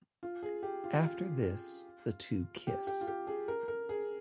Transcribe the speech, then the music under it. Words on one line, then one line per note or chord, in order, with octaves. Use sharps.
After this, the two kiss.
F4
G#4
G4
F4
F4
G4
G4
F4
G4
G#4
A#4
A#4
G#4